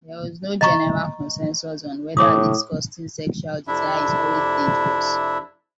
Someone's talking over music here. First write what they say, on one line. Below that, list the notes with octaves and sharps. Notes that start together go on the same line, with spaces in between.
There was no general consensus on whether disgusting sexual desire is always dangerous.
D#5 A#5 C#6
A2 C#5 D6 D#6
F2 C3 D4 E4 E5